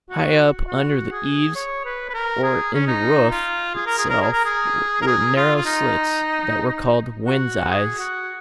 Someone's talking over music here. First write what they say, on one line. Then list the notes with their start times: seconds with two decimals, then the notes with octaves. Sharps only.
High up under the eaves or in the roof itself were narrow slits that were called wind's-eyes.
0.10 F#4
0.67 F#4
1.12 G#4
1.55 C#5
1.85 B4
2.10 B4
2.14 A#4
2.43 G#4
2.74 C#4
2.87 D#4
3.31 F4
3.75 G#4
3.87 A#4
3.98 G#4
4.10 A#4
4.22 G#4
4.33 A#4
4.45 G#4
5.02 A#4
5.07 G#4
5.36 F4
5.56 F4
5.65 D#4
7.26 F#4
7.70 G#4
7.99 F#4